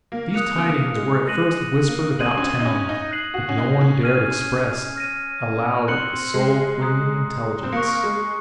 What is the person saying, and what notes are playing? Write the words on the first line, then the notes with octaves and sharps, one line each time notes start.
These tidings were at first whispered about town; but no one dared express aloud the soul-quailing intelligence.
A#3
A#3 D#6 F#6 C#7 F7
C4
A#3
G#3
G#3 F#6 A#6 D#7 F#7
A#3
C4 D#6 G#6 D#7 F#7
C#4
C4
D#4
C#4
D#4
F#6 C7 F#7
F#4
C#4
D#4
C#4
F6 G#6 D#7
F6 A#6 D#7
C4 C6 F#6 C#7 F#7
G#3
A#5 D#6 F#6
C4
A#3 C#6 F#6 C#7
G#3